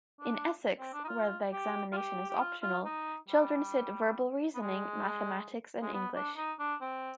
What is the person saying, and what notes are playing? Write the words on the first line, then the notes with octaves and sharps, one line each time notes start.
In Essex, where the examination is optional, children sit Verbal Reasoning, Mathematics and English.
D4
C4
D4
D#4
F4
G4
F4
G4
G4
F4
F4
D#4
G3
B3
G#3
G#3
B3
D4
D#4
D4
C4